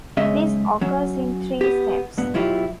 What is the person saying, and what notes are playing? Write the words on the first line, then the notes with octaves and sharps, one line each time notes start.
This occurs in three steps.
B1 C#3 G#3 C#4 D#5 E5
F#3 C#4
B3 G4
G2 A#2 B3
B2 F#3 E4 F4 G4